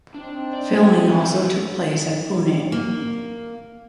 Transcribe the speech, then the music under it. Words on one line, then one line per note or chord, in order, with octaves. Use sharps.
Filming also took place at Pune.
C4 D4 D#4
D5
G2 G#5
F#4 A4 C5
A#3